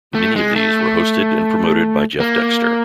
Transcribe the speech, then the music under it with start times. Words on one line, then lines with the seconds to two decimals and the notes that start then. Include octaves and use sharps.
Many of these were hosted and promoted by Jeff Dexter.
0.15 A3
0.36 G#3
0.56 A3
2.20 A#3